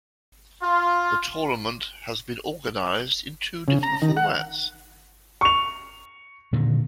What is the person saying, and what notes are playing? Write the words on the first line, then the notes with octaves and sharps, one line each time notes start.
The tournament has been organised in two different formats.
F4
C#3
A#5
D#3
F#5
C#6 F7
A#2 D3 D#3